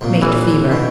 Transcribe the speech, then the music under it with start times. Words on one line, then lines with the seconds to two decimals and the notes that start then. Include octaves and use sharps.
Mate fever.
0.01 C2 A#2
0.22 G1 E2 E3
0.72 B2